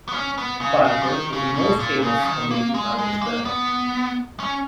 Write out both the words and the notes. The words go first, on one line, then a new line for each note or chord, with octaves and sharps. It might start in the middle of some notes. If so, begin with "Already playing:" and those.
Parker is most famous for making the Parker Fly.
B3
C#4
B3
C#3
C#3
F3
D#3
C#3
B2
A#2
C#3
F3
D#3
A#3
G#3
G#3
A#3
B3
C#4